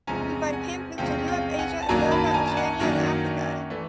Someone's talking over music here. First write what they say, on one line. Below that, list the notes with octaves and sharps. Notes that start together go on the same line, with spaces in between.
We find Pan flutes in Europe, Asia, America, Oceania and Africa.
E2 C3 F3 G#3 C#4 G#5 A#5
F#5 G#5
E2 C3 F3 G#3 C#4 F5 G5
F5 G5
F#5 G#5
A5
F#2 D#3 F#3 A#3 D4 G#5 A#5
A5 B5
A5
G#5 A#5
A5
F#5 G#5
F#2 D#3 F#3 A#3 D4
E3 A3